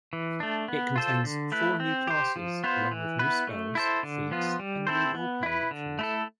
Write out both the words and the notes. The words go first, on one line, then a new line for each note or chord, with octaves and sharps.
It contains four new classes, along with new spells, feats, and new role-playing options.
E3
A3 D4
B3
F4 A4 C5
D3
A3 E4 B4
C4
G4 C5
F3
B3 F4 C5
E3
B3 E4 B4
A3
E4 A4 C5
D3
F3 B3 F4
G3
C4 E4 A4 C5
B3
E4 B4
D3
A3 E4 A4